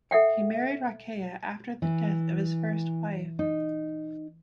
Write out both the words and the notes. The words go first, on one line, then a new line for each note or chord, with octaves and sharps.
He married Rokeya after the death of his first wife.
A4 E5 F#5 G5
E3
D#4